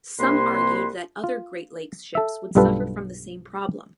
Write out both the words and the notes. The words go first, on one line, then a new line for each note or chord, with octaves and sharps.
Some argued that other Great Lakes ships would suffer from the same problem.
C2 C3 A#3 B4 C6
F4
A4 E5
B1 G2 G3 F4 A4 B4